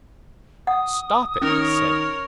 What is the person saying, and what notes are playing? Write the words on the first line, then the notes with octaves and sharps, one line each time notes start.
"Stop it," he said.
F#5 D#6
D#3 C#4 A#4 C#5